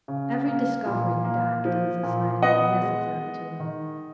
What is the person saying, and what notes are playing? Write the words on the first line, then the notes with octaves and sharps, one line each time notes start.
Every discovery and act in society is necessary to him.
C#3
A#3
A#2
A#3
F3
A#2
B3 D#5 F#5
G#3
G#3
D#3